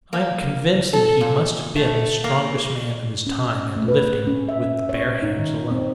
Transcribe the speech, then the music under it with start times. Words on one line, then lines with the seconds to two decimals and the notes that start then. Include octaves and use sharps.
I am convinced that he must have been the strongest man of his time at lifting with the bare hands alone.
0.13 A#3
0.93 A4
1.21 A#2
1.76 A3
2.24 A#3
3.27 C#4
3.76 A3
3.88 B4
4.27 C#4
4.49 E5
4.89 C#5
5.22 D#4
5.38 D#3
5.71 C4